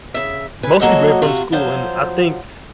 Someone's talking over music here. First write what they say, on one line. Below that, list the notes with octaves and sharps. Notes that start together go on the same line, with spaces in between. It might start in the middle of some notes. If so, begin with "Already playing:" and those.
it's mostly been from school, and I think
C#3 E5
B4 G#5
F#3 A#3 F#4 A4 C#5 D#5
C3 F4 F#4
F3 F#3 C5